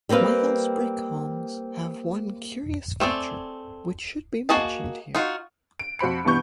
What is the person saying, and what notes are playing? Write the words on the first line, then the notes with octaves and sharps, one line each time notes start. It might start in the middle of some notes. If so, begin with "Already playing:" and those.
Wales brick homes have one curious feature which should be mentioned here.
G3 A#3 C4 B4 F5
A3 C4 G#4 D5
A#3 F#4 G#4 D#5 A5
D#4 F4 F#4
D7
F2 F#4 C5 B5 C#7
G2 B2 E3 B3 C#6 G6